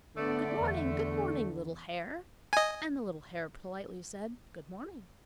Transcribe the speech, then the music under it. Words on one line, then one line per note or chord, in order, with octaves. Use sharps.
'Good morning! good morning, little hare,' and the little hare politely said, 'Good morning.'
D3 A3 B3 D5
E2
D#5 G#5